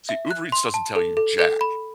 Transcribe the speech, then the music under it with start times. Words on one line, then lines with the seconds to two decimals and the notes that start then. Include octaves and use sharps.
See, Uber Eats doesn't tell you jack.
0.09 E5
0.31 F#6
0.52 C6
0.74 A5
0.96 A4
1.17 A4
1.39 A4
1.61 B5